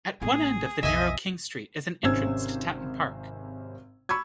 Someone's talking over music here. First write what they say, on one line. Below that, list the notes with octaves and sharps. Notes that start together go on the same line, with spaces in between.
At one end of the narrow King Street is an entrance to Tatton Park.
A1 B3 G#4
B1 F2 D#5 E5 G#5
G#1 C3 C#4 C5 E6 G#6
B5 C#6 E6 G#6